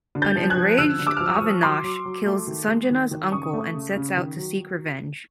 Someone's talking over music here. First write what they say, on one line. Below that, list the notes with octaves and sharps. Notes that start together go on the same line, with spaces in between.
An enraged Avinash kills Sanjana's uncle and sets out to seek revenge.
D3
G6 A6
F3
F#6 G#6
F3
D3 E6 F#6
D3
D6 E6
F3 F6
E6
C#6 D#6
F3
F#3 C6 D6
F#3
F#3
A3
D#3
G#3
D#3
D#3
C#3 C#6 D#6
A3
C#3
C#3
D#3
F#3